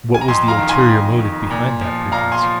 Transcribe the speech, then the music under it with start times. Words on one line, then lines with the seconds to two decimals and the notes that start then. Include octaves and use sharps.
What was the ulterior motive behind that pretence?
0.14 G#5
0.21 A#5
0.28 F2 G#5 C6
0.48 F5 A#5
0.58 D#3
0.69 G#5 C6
0.89 F2
1.19 D#3
1.51 A#2
1.81 F3
2.12 A#2 F5 A#5
2.32 G#5 C6
2.43 F3